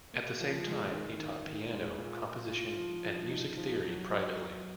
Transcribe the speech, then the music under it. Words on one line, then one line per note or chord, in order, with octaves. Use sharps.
At the same time, he taught piano, composition and music theory privately.
A#3
F3
G#3
D#3
D#3
D#3
G#3
A#2
F4
F4
F3
F3
D#4
F3
F#3
F#4
F#3